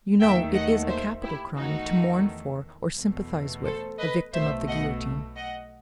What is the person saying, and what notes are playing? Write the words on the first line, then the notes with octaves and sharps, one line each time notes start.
You know it is a capital crime, to mourn for, or sympathise with, a victim of the Guillotine.
D#2 D#3 A3 E5 G5
D#5 F#5
C5 E5
E4 G4
E2 D#3 A3 D#4 F#4
E2 B2 A3
A4 C5
B4 D#5
B1 B2 A3 C5 E5
D#5 F#5
D#5 F#5